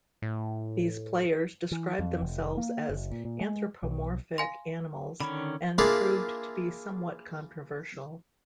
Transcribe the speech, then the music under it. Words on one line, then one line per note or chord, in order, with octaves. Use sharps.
These players "described themselves as anthropomorphic animals", and proved to be "somewhat controversial".
A2
E3
F2
F1
A#3
F#1
A#2
A#2
G#3
B1
F5 G#5 C6
D3 D#3 C#4 B5
A#3 D4 E4 F4 G#4 F5